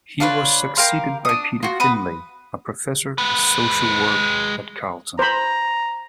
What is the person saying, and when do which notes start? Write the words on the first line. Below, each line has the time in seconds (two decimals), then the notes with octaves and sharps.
He was succeeded by Peter Findlay, a professor of Social Work at Carleton.
0.20 D4 F4 B4 C#5
0.77 G4 A#4 F5 C6
1.25 D4 D#6
1.63 F4 F#4
1.80 F#4 B4 D#6
3.18 G#3 B4
5.19 C5 A#5 B5